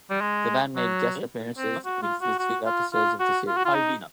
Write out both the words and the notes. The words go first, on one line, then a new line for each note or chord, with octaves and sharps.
The band made guest appearances in two episodes of the series.
G3
G#3
F#3
C4
F#4
F4
F#4
F#4
F4
F4
F#4
F4
F#4
F4
D#4